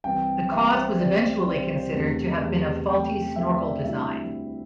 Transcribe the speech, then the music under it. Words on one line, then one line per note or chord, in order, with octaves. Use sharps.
The cause was eventually considered to have been a faulty snorkel design.
C2 C3 E3 C4 G5
C2 C3 E3 C4 E5
C5
C2 C3 E3 C4 D5
C2 C3 E3 C4 D5
C5
C5
E2 C3 A3
E2 C3 A3
E2 C3 A3 G5
E2 C3 A3 E5
E5
D5
D2 D3 G3 C4 E4 E5